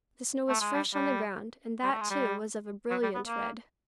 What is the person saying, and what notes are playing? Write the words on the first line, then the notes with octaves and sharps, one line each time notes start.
The snow was fresh on the ground, and that, too, was of a brilliant red.
A3
G#3
G3
G3
G3
A3
G#3
G3
F#3
G3
B3
A#3